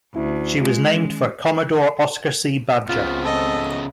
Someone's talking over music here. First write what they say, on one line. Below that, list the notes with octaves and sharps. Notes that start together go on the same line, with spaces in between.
She was named for Commodore Oscar C. Badger.
D2 C#4 E4
G#3 F4
D#3 C#4
C#2 C#3 B3 C4 F4
A4 D#5